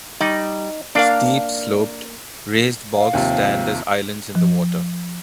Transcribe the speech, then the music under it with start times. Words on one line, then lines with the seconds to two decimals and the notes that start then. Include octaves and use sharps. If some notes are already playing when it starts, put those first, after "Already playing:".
Steep-sloped, raised bogs stand as islands in the water.
0.21 G3 D#4
0.95 A#3 D4 A#4 F5
2.94 F5
3.13 D#2 C3 F3
4.35 F3